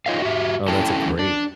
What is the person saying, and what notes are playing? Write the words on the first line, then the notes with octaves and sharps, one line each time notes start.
Oh, that's a great
D#4 F4 C#5 D#5 F5
F#4 G4 E5
E2 C#4 E4 A4 G5 A5
D4